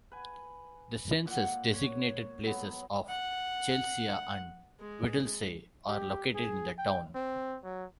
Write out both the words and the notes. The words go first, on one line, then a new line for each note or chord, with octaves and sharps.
The census-designated places of Chelsea and Whittlesey are located in the town.
B4 G#5
A#2 F#5
C#5
F#3 B3
F#5
G#3
G4
G#4
G5
C4
F#3